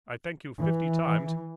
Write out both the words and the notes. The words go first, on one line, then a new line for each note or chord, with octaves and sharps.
I thank you fifty times.
E3